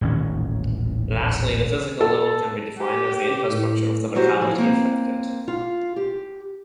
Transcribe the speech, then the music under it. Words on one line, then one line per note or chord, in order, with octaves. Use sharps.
Lastly, the physical level can be defined as the infrastructure of the locality affected.
D#1 A1 D#3 C#4
A4
G4
A2
F#3 E4 F#4 G4 C5
F3 E4
A#3 C4
F4
G4